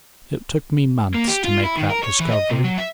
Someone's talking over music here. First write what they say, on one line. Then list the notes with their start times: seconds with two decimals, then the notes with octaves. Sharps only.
It took me months to make that discovery.
1.14 A#3
1.27 G4
1.44 F4
1.64 E4
1.77 D#3
1.90 A#4
2.03 C#5
2.20 E3
2.31 D#5
2.50 C3
2.64 F#3
2.78 E5